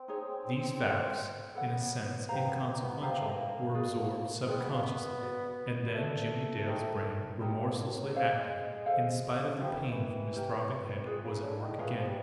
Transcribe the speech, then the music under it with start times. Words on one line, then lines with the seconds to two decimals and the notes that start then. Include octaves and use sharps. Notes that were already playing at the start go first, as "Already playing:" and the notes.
These facts, in a sense inconsequential, were absorbed subconsciously; and then Jimmie Dale's brain, remorselessly active, in spite of the pain from his throbbing head, was at work again.
Already playing: C4
0.08 D#4 G#4 C#5
0.82 A4 C#5 F#5
1.55 B3 A4 C#5 F#5
2.29 A#3 G4 C5 F5 A#5
2.46 B3
2.65 C4
2.76 A#3
2.83 B3
3.01 B3 G4 C5 F5 A#5
3.10 A#3
3.20 A3
3.29 A#3
3.74 G#4 B4 D5
4.47 C4 G#4 B4 D5
4.60 B3
4.71 A#3
4.82 B3
5.20 F#4 B4 D5
5.94 A3 F#4 B4 D5
6.66 D#4 G4 A#4 D#5
7.40 G#3 D#4 G4 A#4 D#5
7.58 G3
7.70 F3
7.77 F#3
7.95 F#3
8.14 G#3 A4 C5 F5
8.86 A4 C5 F5
9.59 F3 E4 G4 A#4
9.71 E3
9.81 D#3
9.92 E3
10.33 E4 G4 A#4
11.06 F4 G#4 B4
11.24 C#3
11.43 D3
11.61 D#3
11.79 E3 F4 G#4 B4
11.97 F3
12.07 G3